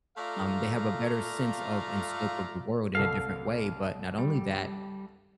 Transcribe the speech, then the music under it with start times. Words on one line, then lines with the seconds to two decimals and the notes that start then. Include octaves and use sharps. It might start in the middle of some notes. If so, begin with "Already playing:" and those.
Um, they have a better sense of and scope of the world in a different way. But not only that,
0.17 A3 F4 A4 D5 F5 A#5
2.95 C2 A4 F5 C7
4.18 G3